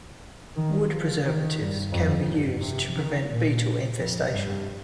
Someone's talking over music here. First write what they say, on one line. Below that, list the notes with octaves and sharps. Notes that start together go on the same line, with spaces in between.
Wood preservatives can be used to prevent beetle infestation.
D#3
F3
D#3
G2
F2
G2
C3
D#3
A#2
F2
G2